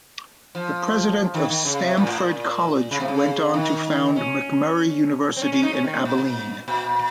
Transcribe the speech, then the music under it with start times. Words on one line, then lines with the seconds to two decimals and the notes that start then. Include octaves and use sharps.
The President of Stamford College went on to found McMurry University in Abilene.
0.55 F3
1.34 D#3
1.50 D#3
1.65 C#3
1.82 C3
1.97 A#2
2.07 A2
2.18 A#2
2.91 C#3
3.00 C3
3.08 C#3
3.54 D#3
4.16 C#4
5.37 C4
5.42 C#4
5.53 C#4
5.63 D#4
5.73 C#4
5.84 D#3
5.95 C3
6.05 A#2
6.68 A#2